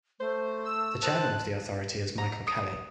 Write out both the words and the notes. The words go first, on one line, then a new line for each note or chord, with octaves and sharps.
The Chairman of the Authority is Michael Kelly.
A3 C5
E6
C#4 G#4 A#4 C5 A5 F#6
A#5
D#6